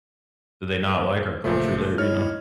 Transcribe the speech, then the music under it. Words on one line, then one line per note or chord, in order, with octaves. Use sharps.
do they not like our culture there, you know?
G1 A#2 C#3 F3 A3 E5
A#4
E4 C#5 D#5 F6